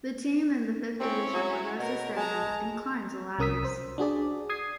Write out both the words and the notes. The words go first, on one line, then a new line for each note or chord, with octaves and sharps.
The team in the fifth division progresses steadily and climbs the ladders.
C4 C#4 E4
F#3
B2 A#4
G#3 A5 A#5
C2 C#4 A#4 D#6 E6 B6
C5
D4 F#4 G#4 D5
D#6 G#6 C7